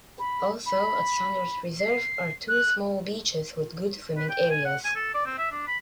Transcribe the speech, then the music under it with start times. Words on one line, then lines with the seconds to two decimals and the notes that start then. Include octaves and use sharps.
Also at Sanders Reserve are two small beaches with good swimming areas.
0.19 B5
0.66 B5
1.79 C7
2.48 F#6
4.17 B4
4.29 G5
4.51 G#5
4.65 F#5
4.84 G#5
4.96 A4
5.14 D5
5.26 C4
5.38 E5
5.51 D4
5.67 B5